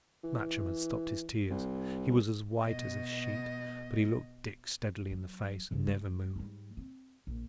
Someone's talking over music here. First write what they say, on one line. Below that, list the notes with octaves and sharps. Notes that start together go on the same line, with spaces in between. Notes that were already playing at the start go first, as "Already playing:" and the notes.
Matcham had stopped his tears; he was as white as a sheet, but he looked Dick steadily in the face, and never moved.
E3
C2
B2 D#5
F#3
A1 C#3
G#3
G#2 G3
C4
A#1